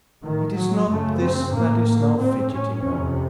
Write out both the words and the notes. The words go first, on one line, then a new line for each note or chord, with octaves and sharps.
It is not this that is now fidgeting her.
A2 D#3
F#3
F#2 C#3 A3
C4
A2 A#3
A#3
A2 C4
C#4
F2 C3